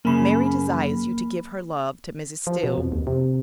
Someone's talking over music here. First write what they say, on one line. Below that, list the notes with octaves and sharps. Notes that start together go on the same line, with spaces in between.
Mary desires you to give her love to Mrs. Still.
F#2 C#3 A#3 B5
F3
B2
F2
D#2
C3